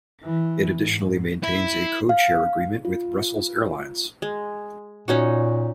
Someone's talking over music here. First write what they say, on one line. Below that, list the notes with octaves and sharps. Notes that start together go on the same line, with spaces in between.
It additionally maintains a codeshare agreement with Brussels Airlines.
E3
G#2
E4
F5
F4
G#3
A#2 C#4 D#4 F#4